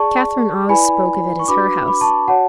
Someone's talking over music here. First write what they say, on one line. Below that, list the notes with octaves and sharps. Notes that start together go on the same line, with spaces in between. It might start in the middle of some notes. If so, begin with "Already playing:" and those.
Catherine always spoke of it as her house.
Already playing: G#4 D5 A5 C#6
E4 B4 D5 G#5 B5
C#6
D4 F#4 B4 B5 D6
B5 D6
A5 C#6
F#4 C#5 F#5 A5